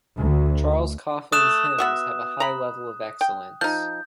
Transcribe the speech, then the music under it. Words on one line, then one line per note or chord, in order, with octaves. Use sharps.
Charles Coffin's hymns have a high level of excellence.
D2
A3 D#6 F#6 E7
B3 F#4 E5
A#5 B5
G5
F3 D#4 G6